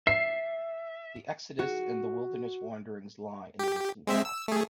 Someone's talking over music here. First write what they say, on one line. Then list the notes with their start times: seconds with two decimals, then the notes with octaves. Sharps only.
The Exodus and the wilderness wanderings lie in the distant past.
0.07 E5 C7
1.59 F#4
3.59 G4
4.07 G#3 C4 E5
4.25 E6
4.48 A3 G#4